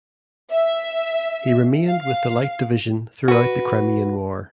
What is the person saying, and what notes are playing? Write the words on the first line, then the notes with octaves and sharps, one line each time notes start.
He remained with the Light Division throughout the Crimean War.
E5
F5
F#4 B4